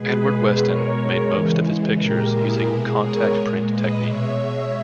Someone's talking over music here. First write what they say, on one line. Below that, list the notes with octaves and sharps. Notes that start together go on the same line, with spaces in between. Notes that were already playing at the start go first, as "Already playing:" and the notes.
Edward Weston made most of his pictures using contact print technique.
Already playing: B2 G#3 G#4 B4
B2 G#3 A#4 C#5
A#4 C#5
C#3 E3 G#3
A#2 G#3 G4 A#4
E4 G#4
B2 G#3 G#4 B4
A#4 C#5
A#2 G#3
B4 D#5
B2 G#3 C#5 E5